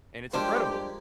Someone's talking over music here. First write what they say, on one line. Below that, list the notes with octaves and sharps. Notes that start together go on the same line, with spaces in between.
And it's incredible.
F3 G3 G#3 A#3 D4 G4 C5